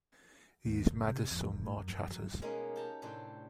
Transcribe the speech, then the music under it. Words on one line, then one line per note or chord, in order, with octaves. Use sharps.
He is mad as some March hatters.
D#2
F#1
C3
F2
E1
A2
F#2
F#2
F#3
B2 G#3 A#3 C#4 D#4
G4 A5 A#5
A2 C3 D4 G4